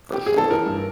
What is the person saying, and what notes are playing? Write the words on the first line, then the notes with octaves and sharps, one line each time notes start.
For sure,
G4
G#4
A4
E3 A#4
G2